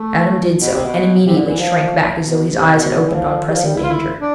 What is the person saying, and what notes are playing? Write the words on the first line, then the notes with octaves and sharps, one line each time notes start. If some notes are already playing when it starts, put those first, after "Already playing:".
Adam did so, and immediately shrank back as though his eyes had opened on pressing danger.
Already playing: A3
B2
C3
B2
C3
D3
E3
F3
B2
C3
B2
B2
D3
E3
F3
G3
F3
G3
E4
F4
E4
D4